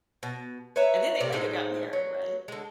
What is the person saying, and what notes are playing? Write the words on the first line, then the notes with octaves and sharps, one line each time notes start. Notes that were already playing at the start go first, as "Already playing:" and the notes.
And then they later got married, right?
B2
B4 C#5 E5 A#5
C3 D5
A2 G#3 D#4 C5
F#3
D3 G#3